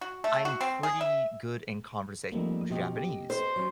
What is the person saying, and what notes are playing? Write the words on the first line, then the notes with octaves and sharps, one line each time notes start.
I'm pretty good in conversational Japanese,
F#4
A3
F#4
C4
G#4
E5
F3 G3 A3 A#3 C4 D#4
B2 F3 C#4 G4 D#5
G4
C5
F#3 C#4 C#5